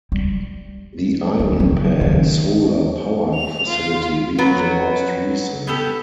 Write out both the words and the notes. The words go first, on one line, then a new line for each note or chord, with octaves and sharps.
The Ivanpah Solar Power Facility being the most recent.
G3
D#3
F#1 F#3
D#3
F7
F4
F#3 B3 F#5 A#5
B3 G4 A4